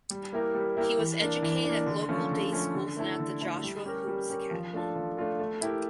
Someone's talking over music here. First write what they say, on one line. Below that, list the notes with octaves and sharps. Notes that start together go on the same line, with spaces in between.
He was educated at local day schools and at the Joshua Hoopes Academy.
G3
A#3 E4 G4 A#4
G3
A#3 E4 G4 A#4
E3
A#3 D4
E3
A#3 D4
D3
F3 A3 C#4
D3
F3 A3 C#4
D3
A3 E4 A4
D3
A3 E4 A4
G3
C#4 G4 A#4
G3
C#4 G4 A#4
F3
A3 D4 F4 A4
F3
A3 D4 F4 A4
A3
E4 G4 A#4